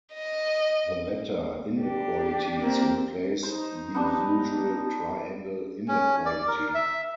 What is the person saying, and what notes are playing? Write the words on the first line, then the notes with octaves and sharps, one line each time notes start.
The latter inequalities replace the usual triangle inequality.
D#5
D4 G4
A#3 C4
D#4 C5
B3 D4 G4
C#4
D5
A#4
E5